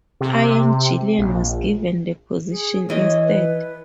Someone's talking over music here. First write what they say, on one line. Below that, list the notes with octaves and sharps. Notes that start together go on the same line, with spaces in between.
Ian Gillan was given the position instead.
C3
A#1
G#4
E3 C#5 D#5
B4